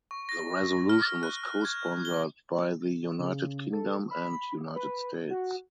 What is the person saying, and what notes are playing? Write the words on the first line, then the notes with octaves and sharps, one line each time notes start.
The resolution was co-sponsored by the United Kingdom and United States.
C#6
A#6
F6
F#6
G#6
G7
C#3
A4
B5
B4
F#4